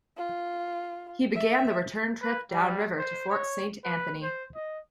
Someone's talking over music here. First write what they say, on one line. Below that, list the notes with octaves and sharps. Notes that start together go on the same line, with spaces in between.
He began the return trip downriver to Fort Saint Anthony.
F4
E5
B4
G3
C5
C#5
B4
C5
D#5